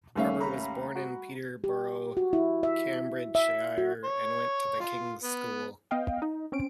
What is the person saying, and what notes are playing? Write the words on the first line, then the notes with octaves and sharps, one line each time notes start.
Barber was born in Peterborough, Cambridgeshire, and went to The King's School.
D#2 G3 A3 C#4 E5 F5
A#5 B5
F#4
G4
F#4
E4
E5
E5
F#4
C#5
F4
B3
B3 D#5 F5 G5
D#4
C4 C#4 D7